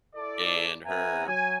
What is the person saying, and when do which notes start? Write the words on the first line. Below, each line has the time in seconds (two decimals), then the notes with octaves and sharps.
and her
0.15 E4 A4 D5
0.86 C4 B4 E5 F#5 G#5 A#5
1.27 F#3 G#5